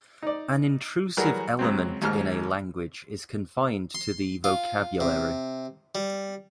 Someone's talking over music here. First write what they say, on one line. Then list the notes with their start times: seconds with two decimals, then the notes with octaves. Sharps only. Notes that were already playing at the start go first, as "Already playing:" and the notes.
An intrusive element in a language is confined to the vocabulary.
0.23 D#4 D5
1.17 E3 F#3 G3 F#4 G#4 A#4
1.59 C#2 F#3 C4
2.02 D#2 G#2 F6
3.95 C6
4.44 F4
5.00 C3
5.95 G3